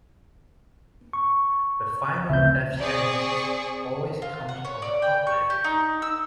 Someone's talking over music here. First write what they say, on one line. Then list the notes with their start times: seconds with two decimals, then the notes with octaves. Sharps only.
The final death sentence always comes from the top level.
1.13 C#6
2.30 D2 C#3 C4 E5 G6
2.77 C4 G#4 D5 C#6 D#6
4.22 F4
4.49 F#5
4.65 C#5
4.82 D5
5.02 G5
5.27 C#6
5.50 G4
5.64 D#4
6.02 E6